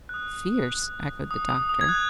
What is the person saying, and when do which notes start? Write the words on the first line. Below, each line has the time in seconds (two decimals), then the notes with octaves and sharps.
"Fierce!" echoed the doctor.
0.09 F#6
0.14 D#6
1.31 D#6
1.50 D#6
1.69 D#6
1.81 G#6
1.89 F#6